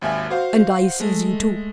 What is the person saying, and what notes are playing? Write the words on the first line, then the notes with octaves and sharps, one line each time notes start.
And I sees you too.
G#1 D#2 E5 G#5 F6
F#4 C5 F5
G#3 A3